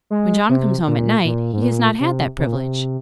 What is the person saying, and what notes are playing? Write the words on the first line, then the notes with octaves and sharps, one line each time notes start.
When John comes home at night, he has not had that privilege.
G#3
C3
A#2
A#2
G#2
A#2
C3
C3
A#2
C3